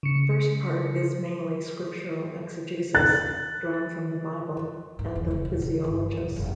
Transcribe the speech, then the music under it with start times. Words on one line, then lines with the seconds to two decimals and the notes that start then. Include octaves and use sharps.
The first part is mainly scriptural exegesis, drawn from the Bible and the "Physiologus".
0.03 C#3 C#7
2.95 F#6 A6
4.99 G#2
5.15 E1
5.31 C#3
5.45 D#1
5.62 C#3
5.84 G1
6.17 E1
6.36 F1